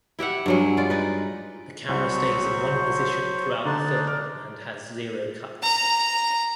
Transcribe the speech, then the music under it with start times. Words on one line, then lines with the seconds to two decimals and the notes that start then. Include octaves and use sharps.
The camera stays in one position throughout the film and has zero cuts.
0.19 E4 G4 E5 F#5
0.46 G2 F#3 G#3
0.77 F4 D5
0.90 D#4 B4
1.89 C2 F#3 C5 C#6
3.65 D3 D4 D#4 D5
4.07 D6 F6
5.62 A#5